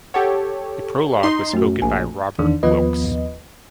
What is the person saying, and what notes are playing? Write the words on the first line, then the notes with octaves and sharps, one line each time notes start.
The prologue was spoken by Robert Wilks.
G4 A4 C#5 F#5 G5
D#4 C6
F#2 A3 F#4
A#1 G#5
E2 D#3 D4
D#2 F3 B3 F4 B4 D#5